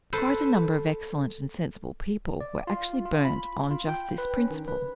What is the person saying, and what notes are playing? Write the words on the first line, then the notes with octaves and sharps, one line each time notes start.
Quite a number of excellent and sensible people were actually burnt on just this principle.
A4 B4 C5
D5
F4
F4
B5
F4
G5
B4
C#4
D#3
B4